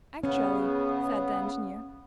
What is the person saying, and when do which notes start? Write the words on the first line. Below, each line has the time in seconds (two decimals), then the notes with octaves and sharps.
'Actually,' said the engineer.
0.23 C#3 B3 C#4